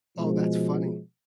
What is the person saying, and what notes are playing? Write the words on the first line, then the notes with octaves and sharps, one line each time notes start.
Oh, that's funny.
B2 F3 G#3